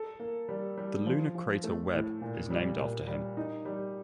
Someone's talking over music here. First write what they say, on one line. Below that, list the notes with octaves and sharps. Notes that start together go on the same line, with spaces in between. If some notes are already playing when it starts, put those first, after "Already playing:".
The lunar crater Webb is named after him.
Already playing: A4
A#3
G3
G3
F3
F3
A3
A2
A#2
G3
A#2
G3
D#4
G3